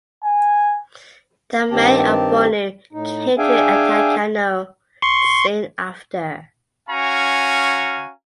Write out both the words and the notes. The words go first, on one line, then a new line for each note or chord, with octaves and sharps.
The Mai of Bornu came to attack Kano soon after.
G#5
G2 D#3 C4 G4 A5
A2 D#4
D4 G#4 E5 F5 G5 G#5
C6 C#6
C#4 F#4 F5 G#5 A#5 C#6